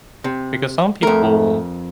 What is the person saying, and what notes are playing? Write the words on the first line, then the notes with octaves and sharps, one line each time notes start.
because some people,
C3
F2 A3 A#4